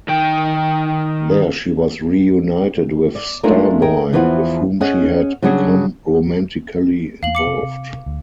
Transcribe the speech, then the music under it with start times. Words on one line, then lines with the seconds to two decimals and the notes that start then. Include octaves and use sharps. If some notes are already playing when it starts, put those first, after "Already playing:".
There she was reunited with Star Boy, with whom she had become romantically involved.
0.08 D#3 G5
3.15 D5
3.43 G#3 A3 D4 D#4 F4 A#4
3.82 G#4 A#4 G5
4.13 E2 E3 F3 F4 F5 F#5
4.81 C#4 G#4 D#5 F#5
5.42 C#3 F#3 G3 D4 F#4 G#4
7.23 E2 F5 F#7
7.35 D6 C#7 F#7
7.46 C3
7.63 C3
8.06 D2